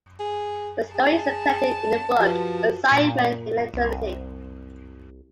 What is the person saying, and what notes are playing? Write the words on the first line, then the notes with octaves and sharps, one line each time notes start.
The story is collected in the book "Assignment in Eternity".
G#4
G#4 A5
F3 F#4 G4 B4
A#2
C2